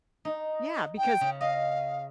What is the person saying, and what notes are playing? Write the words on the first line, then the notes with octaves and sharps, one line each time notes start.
yeah, because
D#4
G5
C#3
D#5 F5